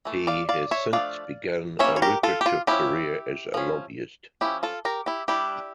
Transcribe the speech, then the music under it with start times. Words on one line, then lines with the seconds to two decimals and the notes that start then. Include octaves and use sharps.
He has since begun a lucrative career as a lobbyist.
0.05 E3 A3
0.27 D5 F5
0.49 D5 F5
0.71 C#5 E5
0.93 F3 A3 D4 D5 F5
1.79 G3 A#3 C#4 C#5 E5
1.96 C#5
2.02 G4 A#4
2.23 F4 A4
2.41 G4
2.46 F4
2.67 F3 C#4 E4 G4
3.54 F3 C#4
4.41 F3 C#4 E4 G4
4.63 F4 A4
4.85 G4 A#4
5.06 E4 G4
5.28 G3 D4 E4 G4